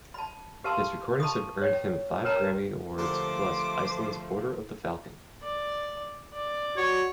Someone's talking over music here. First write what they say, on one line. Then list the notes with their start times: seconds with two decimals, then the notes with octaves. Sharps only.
His recordings have earned him five Grammy awards plus Iceland's Order of the Falcon.
0.14 A5 B5
0.64 G4 B4 F5 A5 C6 E6
1.20 A5 B5 C#6 D#6
1.62 C#5 G5
2.25 A#4 B4 C#5 G5 A5 A#5
2.98 D3 F3 A3 A#3 G4 C5 D6
5.43 D5
6.33 D5
6.77 F#4 C#5